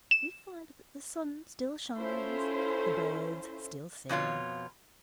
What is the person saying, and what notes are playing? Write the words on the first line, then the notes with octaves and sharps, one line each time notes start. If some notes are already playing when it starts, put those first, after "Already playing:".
'We find that the sun still shines, the birds still sing.
E7
C#4 E4 F4 A4 C5
F2 B2 F4 C#5